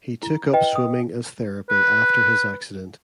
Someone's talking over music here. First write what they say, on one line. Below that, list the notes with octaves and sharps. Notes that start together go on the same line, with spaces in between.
He took up swimming as therapy after his accident.
E4
B4 D#5 G5
D#6
B4